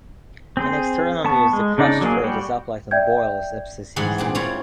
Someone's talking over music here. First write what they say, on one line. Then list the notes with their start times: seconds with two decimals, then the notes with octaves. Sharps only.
In external use, the crushed fruit is applied on boils, abscesses.
0.57 C4 G#4 C5
1.25 B3 A5 C#6
1.53 G#3
1.78 C#3 D4 D#4 D5
2.01 F#3 A#3 G#4
2.24 G3 F#4 G4
2.91 D5 E5 G5 G6 G#6
3.96 G#2 E3 G3 G#4 F#5
4.18 A#2 C4 D4
4.35 G3 C4 E4 F4 C#5 E5